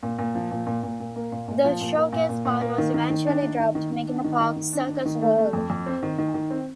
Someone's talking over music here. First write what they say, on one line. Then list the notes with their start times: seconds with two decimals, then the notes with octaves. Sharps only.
The Showcase part was eventually dropped, making the park "Circus World".
0.03 A#2
0.19 A#2
0.35 F3
0.51 A#2
0.66 A#2
0.83 A#2
1.00 A#2
1.16 A#3
1.32 A#2
1.48 A#2
1.65 F3
1.81 A#2
1.97 A#3
2.13 A#2
2.29 A#2
2.45 A#2
2.61 A#3
2.78 D#3
2.94 D#3
3.10 D#3
3.27 D4
3.42 D#3
3.59 D#3
3.75 D#3
3.92 D#3
4.07 D4
4.24 D#3
4.40 D#3
4.56 D#3
4.73 D4
4.89 D#3
5.05 D#3
5.21 A3
5.38 A3
5.53 F2
5.70 F2
5.86 C4
6.03 D#3
6.18 D#3
6.34 D#3
6.50 C4